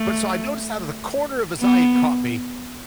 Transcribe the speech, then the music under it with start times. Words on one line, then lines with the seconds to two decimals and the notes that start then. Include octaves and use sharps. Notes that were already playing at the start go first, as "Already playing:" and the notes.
but, so, I noticed out of the corner of his eye, he caught me,
Already playing: A3
1.61 B3